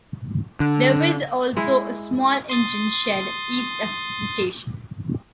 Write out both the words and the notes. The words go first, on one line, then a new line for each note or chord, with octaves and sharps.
There was also a small engine shed east of the station.
D3
G#3 E4
C6 D#6 A6